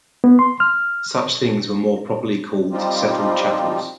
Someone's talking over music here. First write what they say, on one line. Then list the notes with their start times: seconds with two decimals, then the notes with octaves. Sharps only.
Such things were more properly called settled chattels.
0.24 B3
0.39 C6
0.60 F6
2.72 F3 G3 C4 D#4 F4 G4